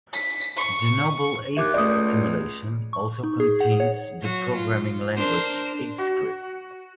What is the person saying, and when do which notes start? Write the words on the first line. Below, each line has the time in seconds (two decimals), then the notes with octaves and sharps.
The Noble Ape Simulation also contains the programming language, ApeScript.
0.13 B6
0.57 C#6
1.57 D#2 E5 D6 F#6
1.74 C#2 A3 D5 D#6 G6
2.93 C#6
3.23 D#4
3.40 G#4
3.60 F#5
3.80 C#5
4.22 F#3 F#4
4.55 F4
5.16 D4 A#4 C5
5.98 F#4